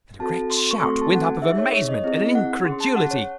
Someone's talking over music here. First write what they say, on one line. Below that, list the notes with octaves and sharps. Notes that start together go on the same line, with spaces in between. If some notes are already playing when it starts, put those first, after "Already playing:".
Then a great shout went up of amazement and incredulity.
C4 F#4 A4 A5
C6
C#6
A3 C4 F#4 A4 C6
A5
F#5
G#5
D#4 G#4 E5
C#5
C#5
D#5
C4 E4 G#4 D#5
F#5
C#4 G#4 C6
A5
F#5
C#5